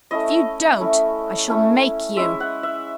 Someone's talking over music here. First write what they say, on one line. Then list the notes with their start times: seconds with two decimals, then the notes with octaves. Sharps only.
"If you don't, I shall make you."
0.11 A3 C#4 E4 D#5
0.80 A3 C#4 E4
1.48 A3 C#4 E4
2.17 G#3 C#4 E4 E5
2.40 F#5
2.63 E5